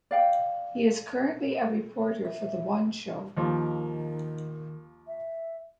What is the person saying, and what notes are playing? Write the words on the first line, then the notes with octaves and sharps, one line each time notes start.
He is currently a reporter for "The One Show".
D5 F5 G5
E5
D#2 D#3 F3
E5